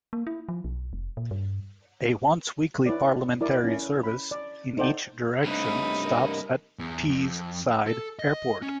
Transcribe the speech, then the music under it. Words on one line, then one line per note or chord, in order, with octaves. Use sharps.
A once weekly parliamentary service in each direction stops at Tees-side Airport.
A#3
E4
F3
B1
F1
A#2
G2
E4 B4 C#5 D5
E4 A#4 D5
C#4 E4
B5
D5
D#4 A4 C5 D5 F#5 G5
G2 C3 A3 C#4 D#4 B5
A#4 D#5
E2
F2
A4
D#5
C#4